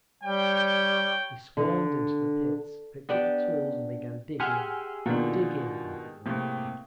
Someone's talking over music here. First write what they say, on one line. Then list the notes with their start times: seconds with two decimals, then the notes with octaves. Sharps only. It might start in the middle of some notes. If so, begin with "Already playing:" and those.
They swarmed into the pits, picked up the tools and began digging, digging, without a word....
0.24 G3 C#5 G5
1.57 D3
3.09 B3 D4 G4
4.40 G4 G#4 E5 F#5 G#5 C6 F6
5.06 B2 D#3 A#3 D4 F4 F#4 F#5
6.26 A2 C3 A#3 C4